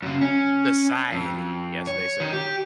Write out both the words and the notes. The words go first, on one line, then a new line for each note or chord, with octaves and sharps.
"Society", as they say.
F#2 C#3
C#4
F2
C#5
D#3
G4